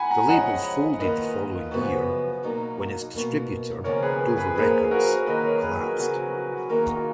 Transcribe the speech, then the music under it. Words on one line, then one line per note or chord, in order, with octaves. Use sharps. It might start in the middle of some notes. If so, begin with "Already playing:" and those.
The label folded the following year, when its distributor, Dover Records, collapsed.
Already playing: F#5 G#5 A#5 B5
F#5 A#5
F2 F3 G#3 C#4 F4 D#5 F#5
D#3 A#3 F4 B4 D#5
F#2 C#3 F3 B3
B2 F#3 A#3 D#4
B2 A#3 D#4
D#2 C#3 F3 B3 A#4 C#5
G#4 B4
G#4 B4
G#4 B4
F2 F3 A#3 D#4 G#4 B4
F#4 A#4
D#2 D#3 F#3 A#3 F4 B4 D#5
A#4 C#5
G#4 B4
F#4 A#4
F2 C#3 F#3 B3 F#4 A#4
F#4
F#4
F#4
D#3 A#3 D#4 A#4
G#4
F#4
F4 G#4